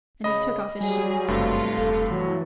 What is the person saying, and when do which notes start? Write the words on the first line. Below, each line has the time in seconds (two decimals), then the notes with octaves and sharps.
And he took off his shoes.
0.24 C#3 D#5 B5
0.81 F#3 G3 G#4
1.28 F#1 G2 C3 A3 F4
1.78 E1 A4
2.11 E3 F#3